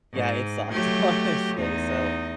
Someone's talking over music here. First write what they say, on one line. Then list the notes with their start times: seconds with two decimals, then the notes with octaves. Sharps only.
yeah. It sucked, honestly. So
0.13 G#2
0.72 F#3 A3 G4
1.57 E2 D#4